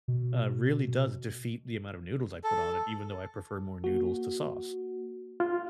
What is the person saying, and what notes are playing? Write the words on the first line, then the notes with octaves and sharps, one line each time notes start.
uh, really does defeat the amount of noodles I put on it, even though I prefer more noodles to sauce.
B2
A4
A#3 F#4
F4